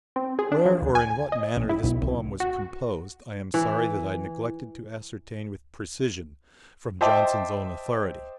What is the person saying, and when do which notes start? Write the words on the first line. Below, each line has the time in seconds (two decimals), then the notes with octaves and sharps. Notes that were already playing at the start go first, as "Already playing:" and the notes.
Where, or in what manner this poem was composed, I am sorry that I neglected to ascertain with precision, from Johnson's own authority.
0.16 C4
0.39 G#4
0.52 D4
0.66 F3
0.82 D2
0.95 G#5
1.32 D#5
1.57 A#1
1.69 E4
1.84 B1
2.02 C2
2.40 F#4
3.54 E3
7.01 C5 D#5 E5 G5 A5 D6